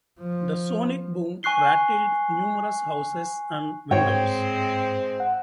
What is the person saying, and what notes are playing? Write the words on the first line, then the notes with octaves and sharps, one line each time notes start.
The sonic boom rattled numerous houses and windows.
F3
G#5 C#6 F#6 C7 G7
G#2 G#3 C4 C#5 G5
F#5